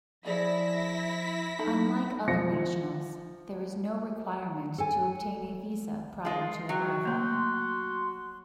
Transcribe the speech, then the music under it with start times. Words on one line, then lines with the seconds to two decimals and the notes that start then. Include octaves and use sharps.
Unlike other nationals, there is no requirement to obtain a visa prior to arrival.
0.25 F3 E4 G#4 D5 D#5 A#6 B6
1.59 F#3 D#4 A4 B5
2.28 F3 A#6 C#7
4.78 A4 G#5
6.25 G#3 F4
6.69 F#3 F#4 G5
7.05 A3 A#3 C6